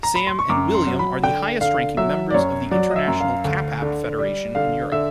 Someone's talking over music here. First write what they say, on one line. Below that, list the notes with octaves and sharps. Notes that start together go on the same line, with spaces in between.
Sam and William are the highest-ranking members of the International Kapap Federation in Europe.
A#5
B5
C6
C#6
F#2 D6
C6
F#3
B5
D3 G5
D3 F5
F#3 E5
D5
F#2 C#5
F#3 D5
D#5
E5
F#2
F5
D2
D3
G3
D3 F5
D3 E5